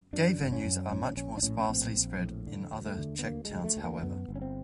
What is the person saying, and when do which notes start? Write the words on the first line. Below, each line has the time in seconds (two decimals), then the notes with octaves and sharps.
Gay venues are much more sparsely spread in other Czech towns however.
0.13 F#2 D4
0.40 G1
0.52 C#4
0.65 F#2
0.92 A#1 C#4
1.17 A#1 C#4
1.37 D4
1.43 A2 C#4
1.59 C#4
1.69 A#1 C4
1.95 A#1
2.21 A2
2.47 D3
2.72 D2
2.86 A3
2.99 D3
3.19 B3
3.25 D2 A#3
3.45 G#3
3.50 D2
3.64 A3
3.77 D2
3.84 A#3
4.02 F#2 B3
4.29 G1
4.35 C#4
4.41 C4